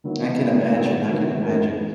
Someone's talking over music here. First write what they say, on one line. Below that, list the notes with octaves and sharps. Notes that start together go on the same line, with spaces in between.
I can imagine, I can imagine.
D#3 F#3 B3 E4
D#3 F#3 B3 E4
D#3 F#3 B3 E4
D#3 F#3 B3 E4
F#2 E3 A#3 D#4
E3